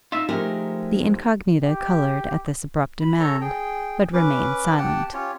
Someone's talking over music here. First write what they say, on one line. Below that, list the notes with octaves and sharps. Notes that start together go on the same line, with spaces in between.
The Incognita coloured at this abrupt demand, but remained silent.
D#4 F4 E5
F3 G#3 A3 D#4 G4 A#4
G4
B5
A4 C#5 A#5
G#4 G5
C#4 B4 D6
G4 F#5 G5 A5
C#4 F4 G4 C#5